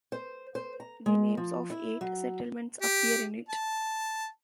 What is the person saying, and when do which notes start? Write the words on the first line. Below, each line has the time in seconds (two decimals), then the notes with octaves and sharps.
The names of eight settlements appear in it.
0.12 C5
0.55 C5
0.80 A#5
1.06 G#3
1.37 F3
1.70 E4
2.01 F#3
2.82 G4
3.49 A5